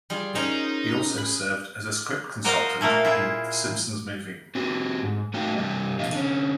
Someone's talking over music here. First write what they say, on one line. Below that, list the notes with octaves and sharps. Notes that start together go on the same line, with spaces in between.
He also served as a script consultant on "The Simpsons Movie".
G3 F4 G#4
C#4 D#4 A#4 C5
G#4 B5
F#4 A#4 C5 D#5 F5
A#2 A3 A#3 A#4
E4 F4 G#4
C4 F#4 G4
G#2
A3 D#4 F#4 F5 G5
C3 G3 G4 D#5
B2 D3 F3 D#5 F5
D3 C#4